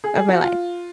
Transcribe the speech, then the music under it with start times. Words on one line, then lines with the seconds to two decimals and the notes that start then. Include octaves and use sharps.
of my life."
0.04 G#4
0.16 G#4
0.29 F#4
0.41 F4